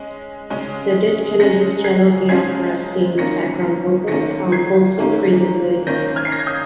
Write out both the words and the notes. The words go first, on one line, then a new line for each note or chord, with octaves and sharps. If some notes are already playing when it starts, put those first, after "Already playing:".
The Dead Kennedys' Jello Biafra sings background vocals on "Folsom Prison Blues".
Already playing: G#3 C#4
C#3 G#3 C#4
C#3 G#3 C#4 A#6 C#7
G#6 C7
C#3 G#3 C#4 G#6 C7
G#2 D#3 A#3 C#4 A#6 C#7
G#2 D#3 A#3 C#4 A#6 C#7
G#6 C7
G#2 D#3 A#3 C#4
G#2 D#3 A#3 C#4 G6 A#6
F6 G#6
C7
A#6
G#6
D#6 G6